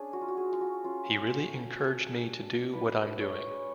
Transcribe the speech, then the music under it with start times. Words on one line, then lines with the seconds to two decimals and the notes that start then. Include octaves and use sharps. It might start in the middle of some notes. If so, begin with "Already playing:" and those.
He really encouraged me to do what I'm doing.
Already playing: C#4 D4 G#4
0.13 F#4
0.21 F4
0.28 F#4
0.37 G#4
0.53 F4
0.61 F#4
0.84 C#4 F4
1.16 C#4
1.32 F#4
1.47 A3
1.79 G#3 A4
2.10 D4
2.42 D4
2.73 D4 B4
3.05 D4
3.21 C#5
3.37 G#3